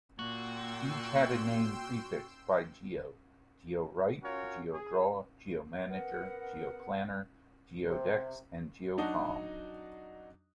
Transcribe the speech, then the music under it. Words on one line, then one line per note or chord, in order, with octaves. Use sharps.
Each had a name prefixed by "Geo": GeoWrite, GeoDraw; GeoManager; GeoPlanner; GeoDex, and GeoComm.
A#2 A#3 F#4 G5 C6 E6
C#4 F4 F#4 A#4 C#5
G#4
B3 A#4 F#5
C3
F#3 D4 D#4 F#4 D#5